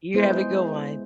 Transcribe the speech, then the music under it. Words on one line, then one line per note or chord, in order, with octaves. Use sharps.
you have a good one.
G#3 B3 E4 C5